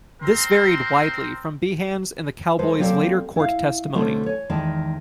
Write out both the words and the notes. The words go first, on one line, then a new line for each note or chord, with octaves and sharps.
This varied widely from Behan's and the Cowboys' later court testimony.
C4 A#4 C6
G3 G#3 A4 B4 C5
F#3 A#3 C4 G4 A4 D5
E4 F5
B2 D3 G3 A3 C4 C#4
C#5 G#5
E2 D#3 G#3 D5 A5